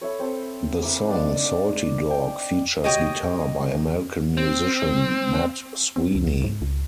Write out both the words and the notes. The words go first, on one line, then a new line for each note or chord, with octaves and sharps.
The song "Salty Dog" features guitar by American musician Matt Sweeney.
E4 A4 C#5
C4 A4
E4 A#5 D6 D#6
D4 D#4 D5
G5
F#4 G4 C#5 D#5
C4
C4
C#2
G#2
C#2